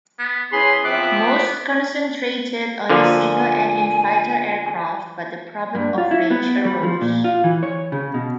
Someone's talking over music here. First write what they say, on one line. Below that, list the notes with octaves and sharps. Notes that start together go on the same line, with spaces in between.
Most concentrated on the single-engine fighter aircraft, but the problem of range arose.
B3
E3 C#4 G#4 B5 C6
F3 B3 C4 E5 D6 F#6
D3 F3 A#3 G#5
G2
F4
E4
B3
G3
F3
A#2
F4
E3
C#5
C#3
B2